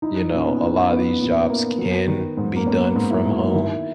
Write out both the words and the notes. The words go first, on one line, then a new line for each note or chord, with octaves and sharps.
you know, a lotta these jobs can be done from home,
D#4 E4
A#2 C#4
B3
E4
B3 E4
A#2
A#3
F#3
D#3
G#2
A#3
B3 C#4
G#2
E4
G#2
F#4
D#4
D#3 E4